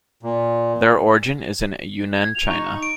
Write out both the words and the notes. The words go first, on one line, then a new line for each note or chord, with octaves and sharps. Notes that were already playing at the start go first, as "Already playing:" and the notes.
Their origin is in Yunnan, China.
A#2
G#6
F7
D#4 C#6
D7